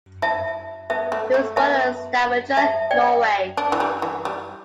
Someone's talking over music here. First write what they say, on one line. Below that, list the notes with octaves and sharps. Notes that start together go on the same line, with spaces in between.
He was born at Stavanger, Norway.
E4 E5 A5
B3 E5 A5
A3
A3
B3 E5 A5
E5 A5
D5 G5
D4
E3
G3
E3
G3